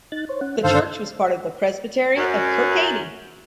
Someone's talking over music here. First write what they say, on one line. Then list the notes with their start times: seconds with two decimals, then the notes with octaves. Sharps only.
The church was part of the presbytery of Kirkcaldy.
0.12 D#4 F#6 A6
0.29 C5 C#5
0.41 C#4 F#5
0.64 G2 D3 D#3 A4 C5 F5
2.17 F#2